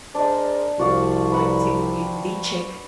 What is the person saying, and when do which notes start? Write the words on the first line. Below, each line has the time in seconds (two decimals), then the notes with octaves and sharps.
like, seems to be leeching
0.15 D4 G#4 A#4 C5 D#5
0.79 C2 F3 C4 F#4 D5 F5
1.32 B4 F#5 A#5